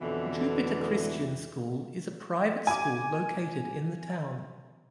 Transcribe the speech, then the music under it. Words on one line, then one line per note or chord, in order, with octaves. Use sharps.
Jupiter Christian School is a private school located in the town.
F2 B2 D3 E3
G#5 D6